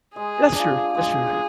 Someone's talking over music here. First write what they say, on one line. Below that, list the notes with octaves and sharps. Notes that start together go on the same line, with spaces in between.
That's true that's true.
G#3 G#4
D4 F4
G#3 G#4